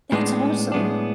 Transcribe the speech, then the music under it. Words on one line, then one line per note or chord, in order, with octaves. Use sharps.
That's awesome.
A2 G#3 B3 D4
A2 G#3 B3 D4